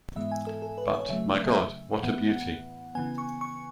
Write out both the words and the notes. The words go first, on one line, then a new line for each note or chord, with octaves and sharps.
But, my God, what a beauty!
G#2 E3 G#3 B3 E5
G#5
A4
A4
B4
C#5
C#3 F#3 A3 E5
A2 E3 B3 F#5
C#3 E3 B3 G#5
C#6
C#6